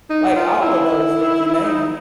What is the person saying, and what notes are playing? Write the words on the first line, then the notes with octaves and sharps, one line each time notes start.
Like, all of those that you named,
D#4
F4
E4
D#4